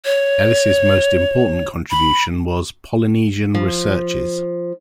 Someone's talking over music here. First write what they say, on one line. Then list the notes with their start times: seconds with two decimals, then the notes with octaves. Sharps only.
Ellis' most important contribution was "Polynesian Researches".
0.05 C#5
1.91 B5
3.55 F3